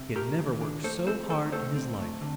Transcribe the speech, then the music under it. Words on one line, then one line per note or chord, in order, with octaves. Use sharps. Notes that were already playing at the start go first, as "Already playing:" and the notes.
He had never worked so hard in his life.
Already playing: C3
A3 G4 A#4
D#3
D4
A3 A4 C5
C4 A4 C5
A3 A4 C5
A3 A4 C5
C4
A3
D3